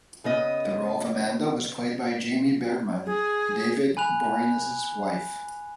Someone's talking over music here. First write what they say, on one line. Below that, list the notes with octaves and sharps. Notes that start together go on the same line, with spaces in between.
The role of Amanda was played by Jaime Bergman, David Boreanaz's wife.
C#3 B3 D#5
G#4
G#5 B5 F#6 F7